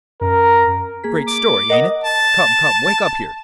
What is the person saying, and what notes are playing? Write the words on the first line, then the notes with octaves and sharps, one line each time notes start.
Great story, ain't it? Come, come, wake up here.
F#2 A#4
A#3 G#4 B6
D6
A#4 D#5 F#5 D#6
A5